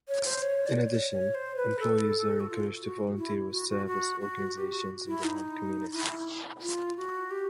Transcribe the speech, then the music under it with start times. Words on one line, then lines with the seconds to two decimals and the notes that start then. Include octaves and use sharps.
In addition, employees are encouraged to volunteer with service organizations in their home community.
0.08 C#5
0.25 C5
0.42 C#5
0.66 D5
0.88 C#5
1.11 C#5
1.35 C5
1.57 B4
1.79 A4
2.40 F#4
2.49 F4
2.83 F#4
3.18 E4
3.52 F#4
3.69 F#4
3.86 F#4
4.21 F#4
4.56 G4
4.72 F#4
5.07 E4
5.24 D#4
5.93 E4
6.61 F4
6.97 F#4
7.31 G4